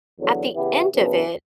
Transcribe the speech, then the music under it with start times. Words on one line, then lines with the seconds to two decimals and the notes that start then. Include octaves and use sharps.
at the end of it,
0.18 E2 D3 F#3
0.55 C#3 E3 B3 E4 G4
0.92 F#2 C#3 E3 B3 D4